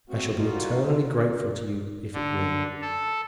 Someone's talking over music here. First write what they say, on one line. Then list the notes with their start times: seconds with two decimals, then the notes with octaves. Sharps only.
I shall be eternally grateful to you if it will.
0.09 A3 C4 F#4
0.37 G3 A#3 D#4 F4 F#4
2.14 D3
2.82 A4